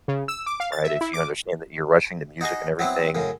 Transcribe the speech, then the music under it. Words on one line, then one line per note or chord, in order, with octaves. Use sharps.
right? If you understand that you're rushing the music and everything.
C#3
E6
D6
F5
A6
E5
E4
D6
D#4 F#4 G#4 D#5
F#3 B3 C4 E4
F#2 A2 C#3